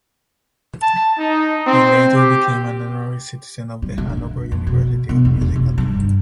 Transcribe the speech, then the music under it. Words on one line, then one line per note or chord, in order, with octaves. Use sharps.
He later became an honorary citizen of the Hanover University of Music and Drama.
A5
D#4
C4
G4
G3
D3
D3
F2
B2
B2
E2
F1
B2
G2